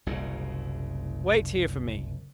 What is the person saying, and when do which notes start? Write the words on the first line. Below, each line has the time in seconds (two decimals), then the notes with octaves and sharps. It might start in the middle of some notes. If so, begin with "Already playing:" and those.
"Wait here for me."
0.06 F#1 C2 A#2 C#3